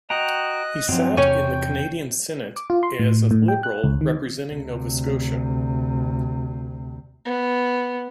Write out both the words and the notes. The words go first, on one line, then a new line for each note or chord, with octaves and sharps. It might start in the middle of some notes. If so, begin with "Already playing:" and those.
He sat in the Canadian Senate as a Liberal representing Nova Scotia.
F#4 D#5 G5 A#5 F#6
G2 F3 F#3 C4
E2 C3 C#5 G5 G#5 C#6
D6
F4
C6
A2
A2
G5
F#6
C#2
D#3
D2 C3
B3